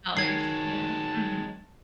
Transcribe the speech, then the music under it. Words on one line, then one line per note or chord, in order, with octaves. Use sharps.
dollars, yeah, mhm.
D#3 F#3 G#3 A5 G#6 C7